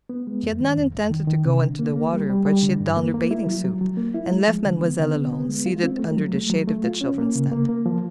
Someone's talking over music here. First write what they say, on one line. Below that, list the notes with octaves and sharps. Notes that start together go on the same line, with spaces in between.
She had not intended to go into the water; but she donned her bathing suit, and left Mademoiselle alone, seated under the shade of the children's tent.
B3
G#3
F2
D#3
F2
F2
D#3
D#3
C3
D3
A#3
A#3
G3
G3
G3
D3
G2
A#3
A#3
E4
F#3
F#3
F#3
A#3
E4
G#3
F3
D3
B3
D3
B3
B3
G#3
F4
C4
A3
F#3
A3
F#3
A3
F4
C#4
A#3
C#3
A#3
A#3
F3